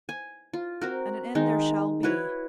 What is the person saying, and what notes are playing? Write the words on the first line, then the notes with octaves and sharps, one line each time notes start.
And an end there shall be.
G#5
F4
C4 F#4 A#4
D#3 G#3 D#4
E4 F#4 B4 C#5